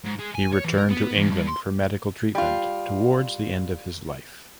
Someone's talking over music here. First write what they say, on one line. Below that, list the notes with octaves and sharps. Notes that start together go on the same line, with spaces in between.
He returned to England for medical treatment towards the end of his life.
G#2
G#3
G#5
C#5
E3
A#4
B3
B3
E2
G2
C6
G3 F4